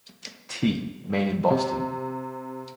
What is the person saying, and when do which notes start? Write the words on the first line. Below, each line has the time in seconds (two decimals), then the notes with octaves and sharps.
T. Main in Boston.
1.50 C3